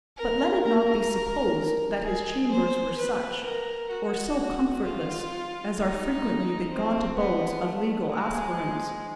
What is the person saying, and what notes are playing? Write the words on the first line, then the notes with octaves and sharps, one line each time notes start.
But let it not be supposed that his chambers were such, or so comfortless, as are frequently the gaunt abodes of legal aspirants.
A#4
A#4
A#4
G#4
C5
B4
A#4
F#4
F4
D#4
C4
B3
A3
G#3